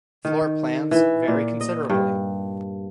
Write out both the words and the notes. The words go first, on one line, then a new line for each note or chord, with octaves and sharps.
Floor plans vary considerably.
D#3
E3
A#2
D#5
G2